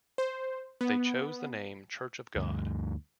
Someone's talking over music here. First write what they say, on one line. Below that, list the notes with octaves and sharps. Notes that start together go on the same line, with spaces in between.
They chose the name Church of God.
C5
B3
D2 G2